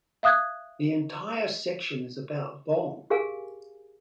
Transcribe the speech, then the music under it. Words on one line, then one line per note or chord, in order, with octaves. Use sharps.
The entire section is about long.
E5 F5 D#6 F#6 G#6
G4 G#4 A#4 F5 G#5